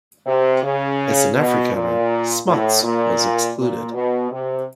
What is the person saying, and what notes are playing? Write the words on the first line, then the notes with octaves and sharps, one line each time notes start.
As an Afrikaner, Smuts was excluded.
C3
C#3
B2
A#2
A2
A#2
A#2
B2
C3